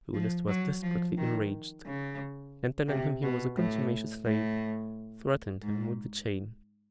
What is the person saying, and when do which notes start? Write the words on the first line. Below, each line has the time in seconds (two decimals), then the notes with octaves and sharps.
Mr. Willis was desperately enraged, and, telling him he was a contumacious slave, threatened him with the chain.
0.14 F3
0.48 F#3
0.83 F3
1.18 D#3
1.86 C#3
2.88 C3
3.23 B2
3.57 A2
4.26 A2
5.63 G#2